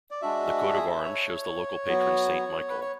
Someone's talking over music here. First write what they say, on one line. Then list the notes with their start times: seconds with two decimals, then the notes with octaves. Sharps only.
The coat of arms shows the local patron Saint Michael.
0.11 D5
0.22 G#3 D4 F#4 E5
0.76 G#4
0.85 A4
0.94 B4
1.04 C#5
1.87 F#3 B3 F#4
2.69 B4
2.81 C#5